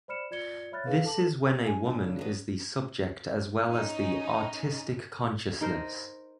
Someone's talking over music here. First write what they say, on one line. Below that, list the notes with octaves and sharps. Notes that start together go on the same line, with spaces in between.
This is when a women is the subject as well as the "artistic consciousness".
C5 D5 B5 F6 C#7 E7
F4 D5 G#6 C#7 G7
C#5 E5 B5 F6 F#6 A6
D#4 G#4 B4 F5
A4 A5 D6 F#7
G#5
C#3 D4
F#3 B3
C#4 D#4
D#4 A#4 C5